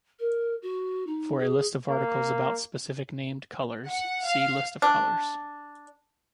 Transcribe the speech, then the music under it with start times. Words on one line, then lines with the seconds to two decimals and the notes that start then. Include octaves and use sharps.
For a list of articles about specific named colors, see list of colors.
0.19 A#4
0.62 F#4
1.07 D#4
1.39 G#4
1.89 A#3
3.87 F#5
4.25 F5
4.82 D4